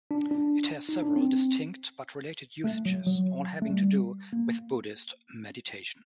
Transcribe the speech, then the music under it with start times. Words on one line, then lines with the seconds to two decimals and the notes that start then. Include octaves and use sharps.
It has several distinct but related usages, all having to do with Buddhist meditation.
0.11 D4
0.31 D4
0.89 D#4
1.02 D4
1.16 C4
2.64 A3
2.86 F#3
3.06 F#3
3.62 A3
3.70 G3
4.33 A#3